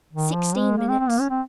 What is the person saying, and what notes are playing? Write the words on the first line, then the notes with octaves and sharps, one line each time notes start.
Sixteen minutes.
D#3
F3
G#3
A#3
C4
C4
A#3
C#4
C4